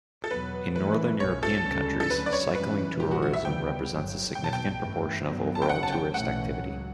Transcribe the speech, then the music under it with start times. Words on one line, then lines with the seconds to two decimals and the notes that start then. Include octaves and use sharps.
In Northern European countries, cycling tourism represents a significant proportion of overall tourist activity.
0.24 A4
0.30 E2 B2 F#3 B3 B4
0.76 F#2 E3 A3 C#4 B4
1.20 B1 B2 A3 C#4 C#5
1.43 A4
1.65 D2 C#3 G3 C#4
2.00 A4
2.10 D2 D3 F#3 C#4 B4
2.26 D5
2.33 C#5
2.55 F#2 C#3 E3 G3 C#4 B4
3.00 B1 A2 E3 G3 G4
3.11 F#4
3.22 F#4
3.33 E5
3.45 D2 C#3 G3 B3 G5
3.91 G1 G2 F#3
4.35 B1 B2 F#3 G5
4.44 A5
4.53 G5
4.80 G1 F#2 E3 A3
5.25 G2 F#3 B3
5.55 A5
5.62 G5
5.69 F#1 F#2 C#3 F#3 C#4 F#5
5.83 A5
5.92 G5
6.14 B1 A2 E3 A3 C#4 F#5
6.59 C#2 C#3 F#3